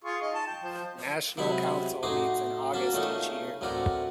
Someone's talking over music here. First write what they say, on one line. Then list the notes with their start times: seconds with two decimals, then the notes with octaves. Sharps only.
National Council meets in August each year.
0.04 F4 G#4 C#6
0.22 D#4 D#5
0.35 A5
0.47 G5
0.63 F3 C5
1.37 C3 F#3 G#3 E4 G5 B5
2.03 A2 D#4 F#4 C6 D6
2.73 A#3 C#4 F#4 A5
2.93 A#2 C#3 A3 C#4 D#4
3.61 D2 A2 C4 A#4 D5 F#5